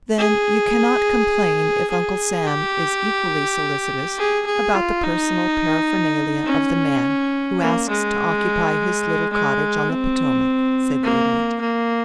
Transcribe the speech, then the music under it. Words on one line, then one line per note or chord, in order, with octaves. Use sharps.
"Then you cannot complain if Uncle Sam is equally solicitous about the personal paraphernalia of the man who asks to occupy his little cottage on the Potomac," said the Idiot.
G#4
G#4
G4
G#4
G#4
F4
D#4
C#4
A#3
G#3
G#3
C4
A#3
A#3